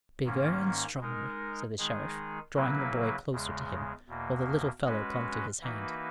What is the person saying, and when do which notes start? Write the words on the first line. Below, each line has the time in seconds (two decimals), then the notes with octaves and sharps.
"Bigger and stronger," said the Sheriff, drawing the boy closer to him, while the little fellow clung to his hand.
0.24 G#2 D#3 A#3 C#4
1.01 G#3 D#4 A#4
1.78 D#3 G#3 D#4 G#4
2.55 C#3 F#3 A#3 E4 B4
3.31 E2 C#3 G#3
4.08 E2 B2 A#3
4.85 G#3 C#4 F#4 B4
5.61 E3 A#3 D#4 F#4 B4